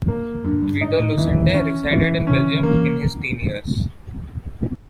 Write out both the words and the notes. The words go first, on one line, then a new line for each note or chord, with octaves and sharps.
Vito Lucente resided in Belgium in his teen years.
A#3
F#2 D3
G2
G#2 D#4
A2
D#3 E3
C#4
E3
C3 C#4
C#3
D3
D#3
E3 A#3